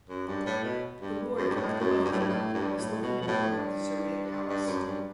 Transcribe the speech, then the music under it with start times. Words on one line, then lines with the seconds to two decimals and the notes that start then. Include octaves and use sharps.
The ward of Anguwan Liman is located north of the Zaria palace.
0.09 F#2
0.27 G2
0.46 A2
0.64 B2
1.01 G2
1.37 F#2
1.50 G2
1.56 A2
1.80 F#2
2.04 G2
2.12 A2
2.19 G2
2.29 A2
2.54 G2
2.78 A2
3.02 B2
3.21 B2
3.27 A2
3.51 G2
4.49 G2
4.67 F#2
4.85 G2